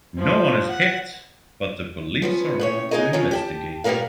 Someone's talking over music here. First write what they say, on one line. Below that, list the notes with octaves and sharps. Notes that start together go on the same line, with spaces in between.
No one is hit, but the police arrive to investigate.
F3
F#5
F3 B3 C#4
A2 C#4 C#5
D#4 E4 G#4 A#4 D#5
A2 F3 F#3 C#4
G4 D5 A5
G#2 B2 G3 B3 A#4 F5